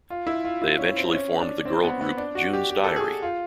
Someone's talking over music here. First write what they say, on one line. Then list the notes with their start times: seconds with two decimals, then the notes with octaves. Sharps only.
They eventually formed the girl group June's Diary.
0.10 F4
0.27 E4
0.45 F4
0.62 E4
0.79 C#4
0.96 C4
1.14 C#4
1.40 D4
1.65 C4
1.84 B3
2.01 B3
2.17 D4
2.35 F#4
2.53 G4
2.70 G4
2.84 A4
2.96 G#4
3.22 F4